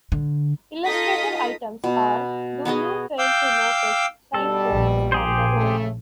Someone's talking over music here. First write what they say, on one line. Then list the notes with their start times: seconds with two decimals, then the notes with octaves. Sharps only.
Illustrative items are 'Do you fail to notice signposts on the road?
0.12 D3
0.86 D#4 F4 A4 D#5 D#6 B6
1.84 B2
2.65 B3 F#4 G#4 D#5
3.19 F5 G5 D6 E6 G6
4.34 G2 B2 G3 A4
4.70 A#1
5.12 G4 G#4 C5
5.55 C#3 A3